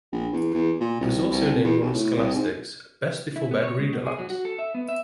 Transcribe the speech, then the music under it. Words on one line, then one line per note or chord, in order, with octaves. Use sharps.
It was also named one of Scholastic's "Best Before-Bed Read-Alouds".
A#1
E2
E2
A#2
C2
C2
E2
B1
A2
C2
G#2
E4
B3
C#5
G#3
B2
G#4
F#3
F#4
A4
E5
B3
E5